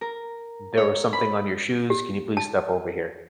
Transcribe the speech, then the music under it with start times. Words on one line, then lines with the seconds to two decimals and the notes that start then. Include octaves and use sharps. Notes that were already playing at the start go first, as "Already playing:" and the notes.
there was something on your shoes. Can you please step over here?"
0.01 A#4
0.77 C#5
1.13 B5
1.90 G4
2.37 A5